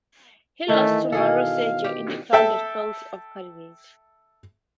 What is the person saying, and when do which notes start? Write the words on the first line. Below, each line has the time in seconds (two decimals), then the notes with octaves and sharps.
He lost to Mario Sergio in a crowded field of candidates.
0.69 D#3 E3 A3
1.12 B2 G#4 A4 F5
1.84 G4
2.33 A4 E5 G5 A5